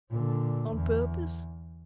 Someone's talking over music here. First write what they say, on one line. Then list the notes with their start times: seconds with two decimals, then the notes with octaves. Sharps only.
On purpose.
0.10 A#2 D3
0.74 E2